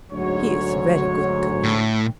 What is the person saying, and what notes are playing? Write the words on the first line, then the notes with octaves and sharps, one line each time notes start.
He is very good to me.
D2 G#2 F#3 C#5
A2